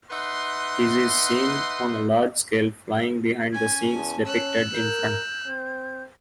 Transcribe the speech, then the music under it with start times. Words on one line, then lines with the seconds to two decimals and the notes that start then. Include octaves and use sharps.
This is seen on a large scale flying behind the scenes depicted in front.
0.11 D#4 B4 E5 F#5 C6
3.52 C#4 G#5 G#6
3.94 E2 A5
4.25 C#4 E6 F#6
4.74 A#4 G6
5.47 C4